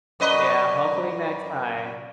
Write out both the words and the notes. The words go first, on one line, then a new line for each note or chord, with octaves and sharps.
Yeah, hopefully next time.
F#2 B4 D5 D#5 B5 C#6